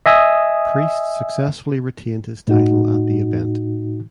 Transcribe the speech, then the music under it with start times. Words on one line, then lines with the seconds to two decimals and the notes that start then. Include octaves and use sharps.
Priest successfully retained his title at the event.
0.06 D#5 E5 G#5 D#6 E6
2.48 A2 D#4 F#4